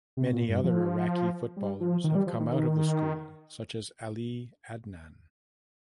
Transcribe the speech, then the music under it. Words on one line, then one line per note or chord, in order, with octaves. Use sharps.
Many other Iraqi footballers have come out of the school such as Ali Adnan.
C3
A#2
G2
F3
G3
F3
D#3
G3
F3
D#3